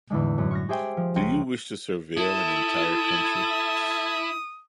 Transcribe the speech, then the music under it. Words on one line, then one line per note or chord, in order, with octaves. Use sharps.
Do you wish to surveil an entire country?
E2 A2 D3 G#3
F#2
C#6 F6 A#6
G4 G#4 C5 E5 G5 G#5
F3
C#2 G5 C6 A#6 C#7 D#7
E4 A4 D#6